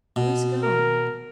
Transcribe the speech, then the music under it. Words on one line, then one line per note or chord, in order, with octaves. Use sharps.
Who is gone?
B2
A#4